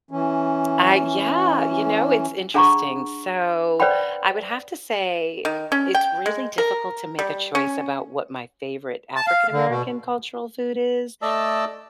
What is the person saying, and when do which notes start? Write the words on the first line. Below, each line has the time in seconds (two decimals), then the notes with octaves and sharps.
I yeah, you know, it's interesting, so, I would have to say it's really difficult to make a choice about what my favorite African American cultural food is
0.11 E3 C#4
2.54 D4 G#4 F#5 A#5 B5 C#6
3.80 B4 C5 D5 F#5 G5 B5
5.45 D#3
5.72 C#4
5.95 G5
6.26 G#3
6.58 A#4
7.19 G3
7.55 C#4
9.16 A5
9.27 F5
9.52 D3
9.68 B2
11.22 A3 D5 D#5 A5 E6